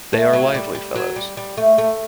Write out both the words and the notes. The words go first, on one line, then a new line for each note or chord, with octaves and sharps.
They are lively fellows.
A3
F#3
G3
G3
F#3
G3
G3
A3
A3